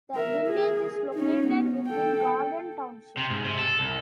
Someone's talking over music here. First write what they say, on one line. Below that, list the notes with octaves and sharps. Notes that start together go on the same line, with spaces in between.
The village is located within Garden Township.
A#4 E5
G#4
C#4 D#4
B3
A4 G5
C3
G#2
C3
A4
C2